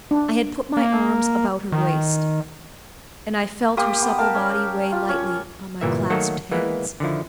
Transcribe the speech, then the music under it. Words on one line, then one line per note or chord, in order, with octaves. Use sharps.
I had put my arms about her waist, and I felt her supple body weigh lightly on my clasped hands.
D4
A#3
D#3
A#3 G4 C6 D#6
B3
A#4 F5 A5
C#4
F4
C#4
G1 A#2 E3 A#3 E5
D#3 F#3 A3 A#3 F#4 A4
E3 G#3 A#3 B3
D3 D#3 F3 E4